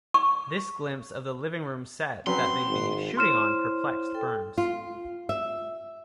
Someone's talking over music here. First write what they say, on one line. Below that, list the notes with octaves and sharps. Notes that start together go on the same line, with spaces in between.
This glimpse of the living room set that they'd be shooting on perplexed Burns.
C#6
F#3 C4 C#4 B4 C6
G#1
E4 C5 C#5 C6 F6 E7
A4 G5
F4
E5